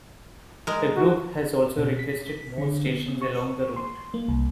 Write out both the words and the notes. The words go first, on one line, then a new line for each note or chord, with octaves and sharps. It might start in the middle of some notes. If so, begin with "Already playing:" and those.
The group has also requested more stations along the route.
G#3 A#4
F#4
B2
B6
D3
B3
C#6
C6
A#3
C2